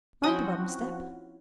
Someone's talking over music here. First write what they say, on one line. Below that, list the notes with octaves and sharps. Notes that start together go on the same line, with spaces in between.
Mind the bottom step.
F3 C4 C#4 E4 F#4 G5 G#5 D#6